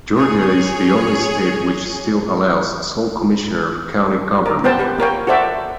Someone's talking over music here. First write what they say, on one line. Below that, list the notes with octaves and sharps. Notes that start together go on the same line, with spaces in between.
Georgia is the only state which still allows sole commissioner county government.
G#4 C#5
A#4
B3 C5 G5 A5
G4 B4
A#3 A#4 C#5 G5
F#4 A4 C5 D5 E5